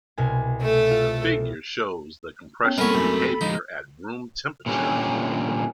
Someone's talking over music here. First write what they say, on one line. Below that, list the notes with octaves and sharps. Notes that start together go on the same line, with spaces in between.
The figure shows the compressional behaviour at room temperature.
C2 B2 G#5
A3 A4
F4
B3 C#4 C#5
G3 A#3 C4 A4 A#4 C#5 G#5 B5
F#2 A3
F3 G#3 D#4
A#2 D3 E3 G3 C#4 G4